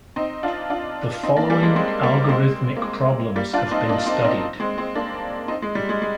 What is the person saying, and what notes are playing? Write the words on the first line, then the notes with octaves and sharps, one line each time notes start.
The following algorithmic problems have been studied.
C4 D#4
D4 F4
D4 F4
C4 D#4
A#3 D4
G3 A#3
G#3
G#3 C4
G3 A#3
G#3 C4
A#3
G#3
G3 A#3
D4 F4
C4 D#4
A#3 D4
C4 D#4
C4 D#4
G#3 C4
G#3 C4
A#3 D4
C4 D#4
G#3
G3
G#3
G#3